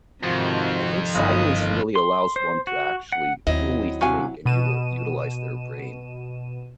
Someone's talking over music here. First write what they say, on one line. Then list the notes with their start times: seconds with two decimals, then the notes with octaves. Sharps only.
I think silence really allows one to actually fully think and u u utilize their brain.
0.24 F2 G#2 C3 D#3 F4 F#4 C5
1.15 G1 D#3 D#5 D#6
1.96 C6
2.36 C5
2.67 F#4
3.12 F#5
3.47 D#2 F#3 C4 E4 D#5
4.01 G2 C3 F#4 F5 G#5
4.46 B2 D#7 E7